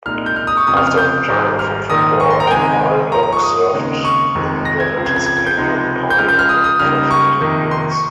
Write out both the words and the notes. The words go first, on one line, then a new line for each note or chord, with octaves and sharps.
After retiring from football, Baldock served in the Tasmanian Parliament for fifteen years.
C2 A#2 G#3 D#4 F6
G6
F6
D#6
C#6
F1 F2 C#3 D#6
F6
F6
G6
G#1 G#2 G3
F6
A#1 G#2 D#3 D#6
C#6
C6
A#5
G5
C#2 C3 D#3 G#3 D#4 G#5
G#2 F3 A#3 A#5
A#5
C#6
D#6
D#2 C#3 G#3 C4 D#4
C#6
F1 F2 D#3 G#3 C4
A#6
G#6
C#2 C#3 F3 C4
G#6
G#6
G#6
G#6
G6
C#2 C3 F3 G#3 D#4
G6
C#2 C#3 F3 G#3 F6
G6
F6
D#6
D#6
C#2 C#3 G3 A#3 D#4 F6
D#6
C#6
F2 C3 D#3 A#3 D#4
C6
C#6